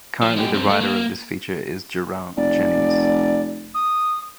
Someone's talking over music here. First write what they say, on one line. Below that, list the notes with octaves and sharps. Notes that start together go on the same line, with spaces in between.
Currently the writer of this feature is Geraint Jennings.
F3
G#3 G4
G2 C4
A3
A#3
F1 D5
D#6